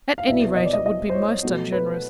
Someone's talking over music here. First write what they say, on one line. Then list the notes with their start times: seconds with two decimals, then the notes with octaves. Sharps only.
At any rate it would be most ungenerous.
0.18 F5
0.28 C2 B2 G3 B3 E5
0.56 D#5
0.65 D5
0.73 D#5
0.86 D#5
1.09 C5
1.14 C#5
1.43 B2 F#3 A3
1.72 B4